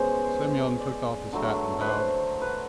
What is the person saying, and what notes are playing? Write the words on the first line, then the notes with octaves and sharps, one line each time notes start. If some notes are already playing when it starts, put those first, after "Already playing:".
Semyon took off his hat and bowed.
Already playing: B2 G#3 C#4 C5
C5
D5
D3 F#3 A3
B4
C5
B4